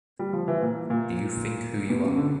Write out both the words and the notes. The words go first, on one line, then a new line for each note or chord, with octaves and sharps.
Do you think who you are?
G3
F3
E3
A#2
A#2
B2
C#3
D3